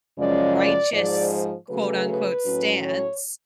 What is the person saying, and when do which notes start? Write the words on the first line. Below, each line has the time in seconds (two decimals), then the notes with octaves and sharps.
righteous, quote unquote "stance"
0.17 F#2 C#3 F3 G#3 C#4 D5
0.55 D5
0.93 G#2 F3 G#3 D5
1.69 C#3 F#3 A3 B4
2.07 B4
2.45 A2 F#3 C#4
2.83 C#5